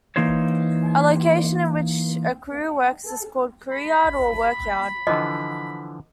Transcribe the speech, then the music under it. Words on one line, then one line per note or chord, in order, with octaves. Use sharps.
A location in which a crew works is called a crewyard or a workyard.
E3 A#3 D#4 C5 C#5
B5
D3 E3 F3 D#5